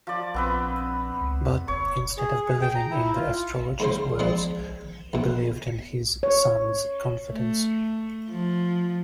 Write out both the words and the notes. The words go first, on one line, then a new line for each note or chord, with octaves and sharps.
But, instead of believing in the astrologer's words, he believed in his son's confidence.
F3 D5
A#1 B3 C4 B4
C#2
E2
F#1 C#5
G#4
G#4
G5
A#5
E4
F4
D#2 G#2 C#3 C5
F3 G#3 C4 D4
A#1 B2
C#5
A3
F3